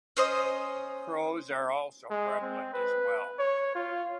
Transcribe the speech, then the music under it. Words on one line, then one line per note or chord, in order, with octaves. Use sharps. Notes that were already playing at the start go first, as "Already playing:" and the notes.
Crows are also prevalent as well.
C#4 C5 D#5
G#3
C4
B4
C#5
F4